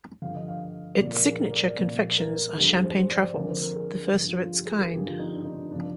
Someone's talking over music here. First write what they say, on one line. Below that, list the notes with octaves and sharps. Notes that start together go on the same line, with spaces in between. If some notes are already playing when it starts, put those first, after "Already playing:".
Its signature confections are Champagne Truffles, the first of its kind.
G2 D3 F3 F5
D#5
F5
A#2 F3 D5
A#4
G#4
A#4
D5
D5
A#2 F3
A#4
G2 F3 G4
G#4
C5
C5
D5
C5
F2 D3 F3 A#4
C5
A#4
G#4
G2 F3
F4
F4
G4
G#4
A#4
G2 D3 F3 G4
F4
D#4
D4
D#4
D4
G2 F3 D4